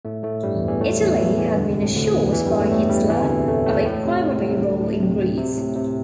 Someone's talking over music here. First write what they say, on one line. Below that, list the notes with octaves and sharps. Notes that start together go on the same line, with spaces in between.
Italy had been assured by Hitler of a primary role in Greece.
A2 A3
A2 A3
G2 G3
E2 E3
E2 E3
A2 A3
G3
E2 E3
E2 E3
E2 E3
D2 D3
C3
A2
D2 D3
E2 E3
E2 E3
G2 G3
A2 A3
A2 A3
G2 G3
E2 E3
C3
D2 D3
A2 A3
A2 A3
A2
C3
A2
C3
D2 D3
A2
C3
C3
A2
C3